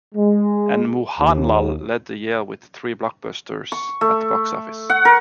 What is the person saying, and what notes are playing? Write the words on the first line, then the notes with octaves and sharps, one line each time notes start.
And mohanlal led the year with three blockbusters at the box office.
G#3
D#2
C#6
A3
F#5
A#4